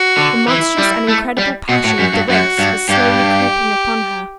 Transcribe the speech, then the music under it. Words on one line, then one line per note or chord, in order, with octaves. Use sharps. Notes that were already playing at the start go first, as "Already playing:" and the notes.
The monstrous and incredible passion of the race was slowly creeping upon her.
Already playing: F#4
D3
E3 E4
G3
A3
G3
B2 F#4
A2
F#2
G2
F#2 F#4
G2
G2 G4